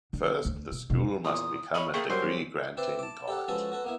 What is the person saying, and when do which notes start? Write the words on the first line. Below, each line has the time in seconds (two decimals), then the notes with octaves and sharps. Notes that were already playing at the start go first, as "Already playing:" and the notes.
First, the school must become a degree-granting college.
0.13 D3
0.45 D2
0.71 B2
0.90 E2 B2
1.25 E2 A#2 D#6
1.74 C#5 D#5 B5
1.94 A3 A#3 G#4 G5 D#6
2.10 F#2 F#3 G3 A#4 C5
2.77 C4 B4 C5 D5 E5
2.99 A5 D6
3.28 G4 A4 F#5
3.48 F3 G#3 C#4 F#4 A4 B4
3.72 F#4 A4 B4
3.84 A#3 B3 E4